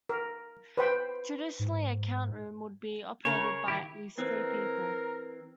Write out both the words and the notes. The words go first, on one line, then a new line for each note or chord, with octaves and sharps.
Traditionally, a count room would be operated by at least three people.
A#4
B4 C5 G5
G#2
C#3 A#4 C#5
D#3 E4 G4
E3 C4 A#4